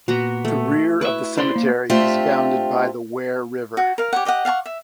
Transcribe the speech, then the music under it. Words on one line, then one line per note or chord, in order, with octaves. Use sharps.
The rear of the cemetery is bounded by the Ware River.
A#2 B3 F#4 A#5
A3
E4 B4 E5 C#6
E4 C5 D5 C6
A#3
A3 C4 D4 F4 G4 E5
F#4
A#4 F5
G4 C#5 F#5
G4 D#5 E5 F#5
F5 F#5 A5 C#6
E5